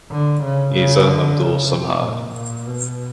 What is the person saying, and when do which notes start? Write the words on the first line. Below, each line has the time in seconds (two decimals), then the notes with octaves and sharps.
Isa Abdul Samad.
0.12 D3
0.43 C#3
0.74 C#3
1.07 D3
1.39 C#3
1.71 C3
2.02 A#2
2.34 A#2
2.66 B2